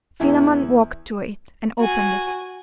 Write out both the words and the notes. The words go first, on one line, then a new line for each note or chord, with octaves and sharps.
Philammon walked to it, and opened it.
E2 E4
F#4 G#5